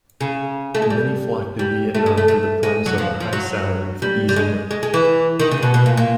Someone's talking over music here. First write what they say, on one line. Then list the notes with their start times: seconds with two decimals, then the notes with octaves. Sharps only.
Many flock to Vietnam for the promise of a high salary for easy work.
0.21 C#3
0.75 A3
0.82 G#3
0.90 G3
1.59 G3
1.94 A3
2.06 G#3
2.17 A3
2.28 A3
2.63 G#3
2.86 F#3
2.98 F3
3.20 F3
3.33 F#3
4.02 G3
4.29 G3
4.36 G#3
4.71 G#3
4.83 G#3
4.94 E3
5.40 D#3
5.51 C#3
5.62 B2
5.74 B2
5.86 A#2
5.97 A#2